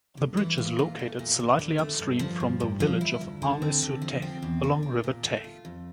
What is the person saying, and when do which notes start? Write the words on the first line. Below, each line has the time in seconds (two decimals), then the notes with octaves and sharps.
The bridge is located slightly upstream from the village of Arles-sur-Tech, along River Tech.
0.17 G2
0.37 E3
0.58 F4
0.79 A#2
0.99 A3
1.19 A#2
1.40 D2
1.59 D3
1.79 A3
1.99 G2
2.19 F3
2.40 G2
2.60 G2
2.80 F3
3.01 E4
3.21 D2
3.42 D3
3.62 C4
3.82 D3
4.02 F3
4.22 C4
4.42 E2
4.63 D3
4.83 D4
5.04 A#2
5.24 A3
5.44 F4
5.65 F2